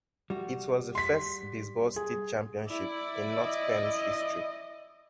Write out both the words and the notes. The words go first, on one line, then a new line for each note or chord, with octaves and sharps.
It was the first baseball state championship in North Penn's History.
G3 F#4
C6 B6
G#4
E4 D5
D#5